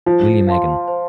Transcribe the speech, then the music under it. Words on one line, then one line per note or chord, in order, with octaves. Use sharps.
William Egan.
F3 C5
F5 A5 C6
C5